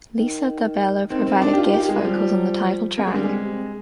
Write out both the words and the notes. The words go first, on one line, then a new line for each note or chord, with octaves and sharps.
Lisa Dalbello provided guest vocals on the title track.
D#3
D#3 C4
C4
D4
G4
F4
G4
G#3
D#3
F3 G3
A#3
G#3
D3 G3
C3 G#3
C3